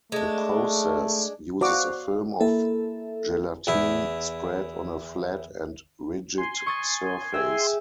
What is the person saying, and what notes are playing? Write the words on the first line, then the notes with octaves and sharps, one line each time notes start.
The process uses a film of gelatine spread on a flat and rigid surface.
G#3 A3 D4
F#4 C5 D5 F5 D6
A#3 E4 A4 E5
E2 E4
G#5 C6
C#6 D#6 A6
G#4 E5 G5